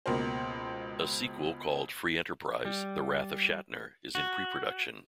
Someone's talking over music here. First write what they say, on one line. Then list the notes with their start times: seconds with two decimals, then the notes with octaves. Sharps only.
A sequel called ""Free Enterprise: The Wrath of Shatner"" is in pre-production.
0.06 C#2 B2 A#3 A#4 C5
2.65 G3
4.15 F#4